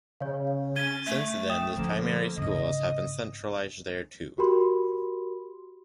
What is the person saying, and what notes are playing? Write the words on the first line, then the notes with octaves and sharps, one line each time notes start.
Since then the primary schools have been centralized there too.
C#3 C#5 F5
C#4 G#6 A6 D#7 G7
A3 E5
G5 D#6 E7
D3 F3 A3 A#3 C#4
G#2 C#3 D#5
F#4 G4 A#4 B5 C6